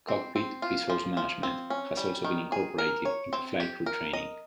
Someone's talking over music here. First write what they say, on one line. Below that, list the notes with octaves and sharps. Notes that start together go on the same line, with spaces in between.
"Cockpit Resource Management" has also been incorporated into flight crew training.
C4
C4
F4
F3
F3
C4
C#4
G3
D#3
G#4
A#4
C#5
C4
G4
A#4
D#5